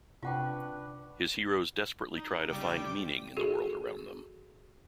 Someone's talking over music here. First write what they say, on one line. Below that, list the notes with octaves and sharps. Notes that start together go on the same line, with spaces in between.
His heroes desperately try to find meaning in the world around them.
C3 D4 F4 B4 F#5 G5 C#6
D#4
C#3 G3 G5 D6
F#4 G#4 A4